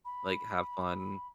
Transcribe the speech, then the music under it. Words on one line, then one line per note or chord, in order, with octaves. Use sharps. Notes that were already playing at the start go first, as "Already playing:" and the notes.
Like, have fun,
B5